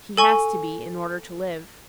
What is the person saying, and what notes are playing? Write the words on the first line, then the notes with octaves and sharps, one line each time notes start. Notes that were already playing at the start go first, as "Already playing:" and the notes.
He has to be, in order to live.
A4 G#5 C#6